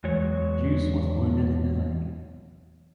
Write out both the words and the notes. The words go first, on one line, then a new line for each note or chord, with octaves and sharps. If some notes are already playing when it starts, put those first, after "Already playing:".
Hughes was wounded in the leg.
E2 F#3 G#3 C#5